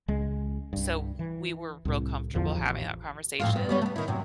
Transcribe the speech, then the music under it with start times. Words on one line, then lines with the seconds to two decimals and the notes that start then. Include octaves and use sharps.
so we were real comfortable having that conversation, and
0.08 C#2 G#3
0.73 C2 G2
1.19 E3
1.85 C2 A2
2.35 A1 E2 D3 F3
2.58 A1
3.40 F2 A2 F4
3.53 G2 B3
3.69 G3 B3 C#4
3.82 A3 B3
3.96 D#3 E4
4.08 F#2 C3